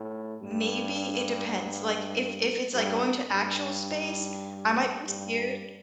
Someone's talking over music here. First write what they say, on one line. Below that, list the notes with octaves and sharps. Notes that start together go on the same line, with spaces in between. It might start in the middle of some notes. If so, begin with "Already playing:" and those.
maybe it depends, like, if if it's, like, going to actual space, I might be scared,
Already playing: A2
G2
G2
G2
G2